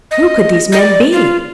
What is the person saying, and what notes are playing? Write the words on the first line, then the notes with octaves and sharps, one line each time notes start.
Who could these men be?
D#5
D#5
D5
F4